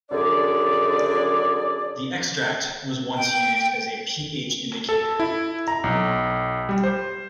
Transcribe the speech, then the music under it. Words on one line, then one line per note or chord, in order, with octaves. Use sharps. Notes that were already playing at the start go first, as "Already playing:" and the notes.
The extract was once used as a pH indicator.
F#2 D3 G#4 D5
G5
A4
E4
A#5
B1
G3
C5